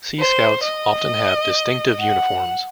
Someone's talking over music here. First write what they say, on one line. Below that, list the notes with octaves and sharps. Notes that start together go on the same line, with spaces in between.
Sea Scouts often have distinctive uniforms.
C5
D#5
F#5